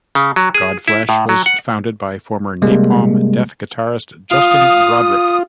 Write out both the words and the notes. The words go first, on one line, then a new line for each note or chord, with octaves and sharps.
Godflesh was founded by former Napalm Death guitarist Justin Broadrick.
C#3
F#3
G#4
E4
A2
F#3
F#5
C3 G3 G#3 A#3
F4 F5 D#6